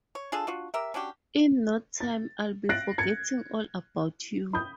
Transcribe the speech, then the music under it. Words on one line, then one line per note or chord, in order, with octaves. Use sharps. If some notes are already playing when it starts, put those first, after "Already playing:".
In no time, I'll be forgetting all about you.
C#5
D4 F4 G#4 A4
D4 F4 F#4
G4 A#4 E5
C#4 D4 F#4 G4
A6
F#6 A6 A#6 C7 D7
G#6 A6 C#7
B5 D#6 G6